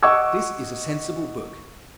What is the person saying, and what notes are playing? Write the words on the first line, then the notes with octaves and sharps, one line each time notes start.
This is a sensible book.
D#5 F#5 C#6 D6 E6 G#6